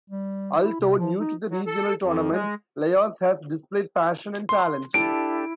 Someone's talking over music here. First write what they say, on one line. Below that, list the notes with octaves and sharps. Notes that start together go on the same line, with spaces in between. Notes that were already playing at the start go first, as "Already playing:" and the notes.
Although new to the regional tournaments, Laos has displayed passion and talent.
G3
E4
C3
F3
D#4
F#3
A4
F2
G#3
C6
D4 E4 G4 A4 D7